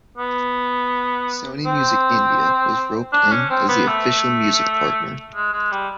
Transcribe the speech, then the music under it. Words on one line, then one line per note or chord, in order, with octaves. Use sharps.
Sony Music India was roped in as the official music partner.
B3
C4
D4
C#4
C4
B3
A3
G#3
G#3
G3